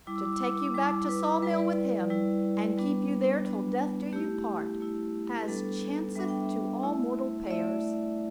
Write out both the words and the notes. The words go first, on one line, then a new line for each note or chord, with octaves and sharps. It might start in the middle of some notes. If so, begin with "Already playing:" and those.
"To take you back to Saw-mill with him, and keep you there till death do you part, as chanceth to all mortal pairs."
G3 E4 D6
E6
D6
E6
D6
E6
D6
G3 E4 D6
B4
G3 E4 B4
D5
B4
G3 E4
G3 B3 D4
G3 B3 D4
A3 E4 G4
A3 E4
B4
G3 B3 D4 A4
G3 B3 D4 E5
G5
E5
A3 E4
D5
A3 E4 E5